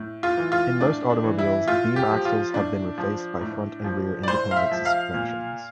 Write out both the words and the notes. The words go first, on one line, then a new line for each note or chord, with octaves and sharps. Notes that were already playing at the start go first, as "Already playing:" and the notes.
In most automobiles, beam axles have been replaced by front and rear independent suspensions.
Already playing: A2
F4
E3
F4
A2 D4
D4
E3
E4
A2 F4
G4
F3
F4
A2 D4
F3
A2
F3
D5
A2 C5
F5
E5
F3
F5
A#2